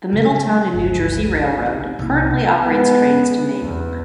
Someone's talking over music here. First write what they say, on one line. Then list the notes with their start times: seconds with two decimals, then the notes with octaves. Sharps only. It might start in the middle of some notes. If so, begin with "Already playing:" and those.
The Middletown and New Jersey Railroad currently operates trains to Maybrook.
0.13 C#3 G3
0.74 G1 C#2
1.66 D#4
1.99 C2 A#3
2.64 G#3 B3
3.59 E2